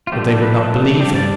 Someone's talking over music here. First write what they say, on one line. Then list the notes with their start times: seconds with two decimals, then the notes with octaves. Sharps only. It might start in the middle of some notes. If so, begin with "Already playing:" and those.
But they would not believe him.
0.07 F4
0.12 F3 A3 D4 G4
0.27 A4
0.42 B4
0.56 F3 A3 D4 A4
1.00 G3 D4 G4
1.15 D5